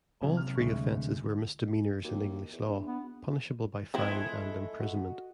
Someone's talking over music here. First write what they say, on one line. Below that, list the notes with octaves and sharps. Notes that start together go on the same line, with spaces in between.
All three offences were misdemeanours in English law, punishable by fine and imprisonment.
C3 F#3
F6
D2 G#3 C#6
D#2 F#4
E2
D4
B3
F3 G#3 A3 C4 E4
F#4 D#5 F#5